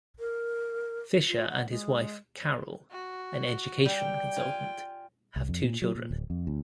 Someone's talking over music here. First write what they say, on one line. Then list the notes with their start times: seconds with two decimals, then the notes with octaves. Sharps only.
Fisher and his wife, Carol, an education consultant, have two children.
0.19 A#4
1.28 F4
1.49 F#5
1.69 G#3
2.91 F#4
3.85 G3 G5
4.36 F4 G#5
5.36 C2
5.49 F2
5.62 A#2
5.82 F#3
5.95 A#2
6.11 D1
6.30 F2
6.47 D2